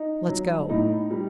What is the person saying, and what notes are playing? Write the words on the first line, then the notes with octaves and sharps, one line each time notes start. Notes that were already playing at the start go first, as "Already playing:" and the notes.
"Let's go!"
Already playing: D#4
F#3
A2 D#4
G3